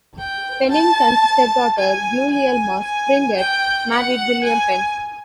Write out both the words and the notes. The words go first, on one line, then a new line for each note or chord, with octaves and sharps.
Penington's stepdaughter Gulielma Springett married William Penn.
G5
A5
G#5
G#5
G#5
G5
F#5
G#5